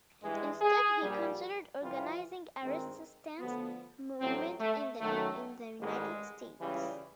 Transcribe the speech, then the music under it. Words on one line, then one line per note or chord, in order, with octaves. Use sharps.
Instead, he considered organising a resistance movement in the United States.
G2 E3 G#3
G#4
A#1 A#2 G3
F2 C3 E3 G3 F4
G#1 G2 D#3 G#3 C4
D2 D3 F3 B3
A1 A2 F#3 C4
A3
F#2 D#3 F#3 A3
A1 G#2 D#3 G3 G#3
C#2 C#3 E3 G3